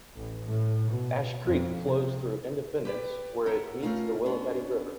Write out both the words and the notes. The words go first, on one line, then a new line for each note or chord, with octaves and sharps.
Ash Creek flows through Independence, where it meets the Willamette River.
A1
A2
B2
F2
C3
G4 B4 D5
A4 A#4 E5 F#5 A#5
A3 C#4 F4 A#4 F5
B3 C#4 D4